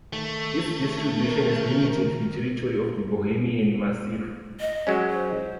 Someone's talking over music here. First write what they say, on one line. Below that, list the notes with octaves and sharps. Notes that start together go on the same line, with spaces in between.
Its distribution is limited to the territory of the Bohemian Massif.
D#3 A3
A#4
D#5
F#3 G#3 C#4
C5